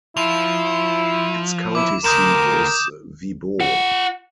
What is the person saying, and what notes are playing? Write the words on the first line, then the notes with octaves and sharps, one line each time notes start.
Its county seat is Wibaux.
F3 E4 F7
E4 D6
D2 A#4 D#6 G6 E7
F4 F#5